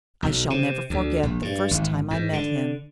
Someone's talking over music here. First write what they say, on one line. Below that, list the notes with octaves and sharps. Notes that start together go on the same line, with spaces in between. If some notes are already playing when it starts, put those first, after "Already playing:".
I shall never forget the first time I met him.
B1
C3
D2
A#1
G2
G#1
G#2
D3